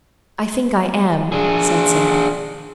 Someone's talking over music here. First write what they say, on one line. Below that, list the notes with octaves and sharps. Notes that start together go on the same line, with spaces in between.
"I think I am," said Sara.
D4 G#4